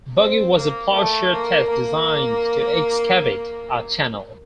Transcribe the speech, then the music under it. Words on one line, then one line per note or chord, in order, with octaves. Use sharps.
Buggy was a Plowshare test designed to excavate a channel.
C4
A#3
A3
A#3
A#3